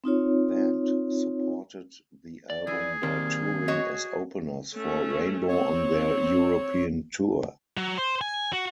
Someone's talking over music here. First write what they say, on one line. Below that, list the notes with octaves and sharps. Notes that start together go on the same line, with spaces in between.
Band supported the album by touring as openers for Rainbow on their European tour.
C4 D#4 F4 C#5
D5
E3 G#4
D#3 G3 A#3 C4
F#4 C#5 D#5
A3 C#4
C4 C#5
F#3
C5
G#5
F#4